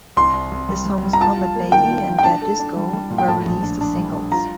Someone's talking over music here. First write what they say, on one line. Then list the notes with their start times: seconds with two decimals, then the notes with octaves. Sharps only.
The songs "Combat Baby" and "Dead Disco" were released as singles.
0.17 C2 C6
0.33 C2
0.51 C2
0.69 G3
0.85 G3
1.03 G3
1.13 A#5
1.20 F4 A5
1.37 F4
1.55 A#3
1.72 D#3 G5
1.90 F4
2.08 F4
2.18 G5
2.24 D4 A5
2.42 A4
2.60 D4
2.76 G3
2.93 G3
3.10 A#2
3.18 G5
3.28 A2 A5
3.46 A#1
3.63 D4
3.81 D4
3.98 G3
4.15 D4
4.32 F4 A#5